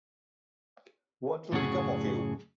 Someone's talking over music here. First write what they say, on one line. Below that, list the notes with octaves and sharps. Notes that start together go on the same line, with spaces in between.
What will become of you?
F#2 A2 C#3 F#4 G#4